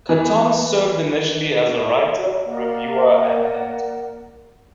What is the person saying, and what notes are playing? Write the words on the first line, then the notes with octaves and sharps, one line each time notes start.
Catton served initially as a writer, reviewer, and editor.
E3 B3
A#3 A#4 D5 F#5